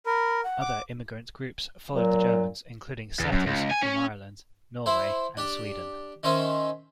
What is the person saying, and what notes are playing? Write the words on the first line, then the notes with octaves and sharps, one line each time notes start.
Other immigrant groups followed the Germans including setters from Ireland, Norway and Sweden.
A#4 B5
F#5
D6
A#2 F#3
E2
F#2
C#2
G#5
C#4
E4 C5
D4 G4
D#3 C#4 C5 E5